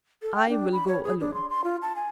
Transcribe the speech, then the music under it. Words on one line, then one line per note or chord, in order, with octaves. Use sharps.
"I will go alone."
A4
G5
D4
B5
C#5
G#4
D4
C6
C6
F4
A5
G#5